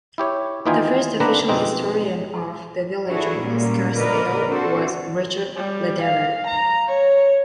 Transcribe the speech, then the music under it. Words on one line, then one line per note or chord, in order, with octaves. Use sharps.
The first official historian of the Village of Scarsdale was Richard Lederer.
E4 G4 C#5
D#2 E3 D#4 F4 G5 G#5
D3 A#3 C4 D4 B4 A#5
F2 B2 G#3 C4 D#4
D4 E4 F#4 G#4 A4
A#2 G3 G#3 A#3 C#4
A#2 D3 A#4 B4 D5 D#5
C4 D4 F#4 A4 C5
G3
F5
A#5
C#5